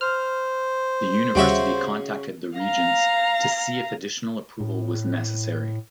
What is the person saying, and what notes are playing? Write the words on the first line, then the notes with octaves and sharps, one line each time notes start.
The university contacted the Regents to see if additional approval was necessary.
C5 F6
D#2 C#3 G3 F#4 C#5 E5
F5 A#5
A2